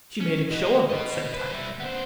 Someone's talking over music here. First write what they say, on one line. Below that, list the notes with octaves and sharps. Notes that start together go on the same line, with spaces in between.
"She made a show of it," said Tackleton.
C#4
F#4 D#5
B4 D#5
B4 C5
G3 E4
B3 C5